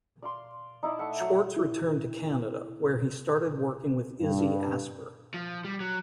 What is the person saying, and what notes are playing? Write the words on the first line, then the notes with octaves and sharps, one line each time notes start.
Schwartz returned to Canada, where he started working with Izzy Asper.
D5 F5 C6
D#4 E4 D5 A5
A3 E5 F#5
F#3
E4
G2
F3
G3
F#3